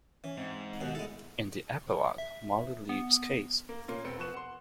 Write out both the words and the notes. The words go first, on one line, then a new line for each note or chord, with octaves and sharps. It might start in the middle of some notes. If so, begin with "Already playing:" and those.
In the epilogue, Molly leaves Case.
E3 C#4
G#2 C4
D#2 B2 F#5
G#3 E4 A4
E5
B3
A#3
A#2 A#3 C#4 F4
E1 B3 C4 C#7
F3 B3 C#6 F#6 E7
F#5 C6